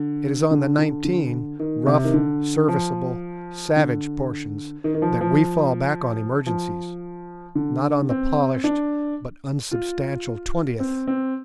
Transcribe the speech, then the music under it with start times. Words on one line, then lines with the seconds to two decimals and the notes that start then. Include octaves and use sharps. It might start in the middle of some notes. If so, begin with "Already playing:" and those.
It is on the nineteen rough serviceable savage portions that we fall back on emergencies, not on the polished but unsubstantial twentieth.
Already playing: D3
0.51 D3
0.79 D3
1.05 D3
1.60 D#3
1.87 C3
2.05 D#3
2.14 D3
2.68 F3
3.76 D3
4.84 D#3
4.94 D#3
5.02 F3
5.21 F3
6.46 F3
7.55 D3
8.09 C4
8.64 D4
9.71 F4
10.80 C4
11.07 C4